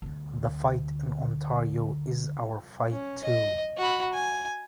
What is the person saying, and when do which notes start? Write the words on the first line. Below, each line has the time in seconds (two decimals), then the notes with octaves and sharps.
The fight in Ontario is our fight too.
0.02 D2 D3
2.92 C#4
3.24 D#5
3.78 F#4 B5
4.13 G#5